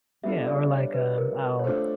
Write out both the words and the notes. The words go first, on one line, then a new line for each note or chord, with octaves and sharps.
yeah, or, like, um, I'll
G3 B3 D4 F4 A4 E5
D5
C#5
B4
A#4
B4
C#5
A3 D4 F4 A4 C5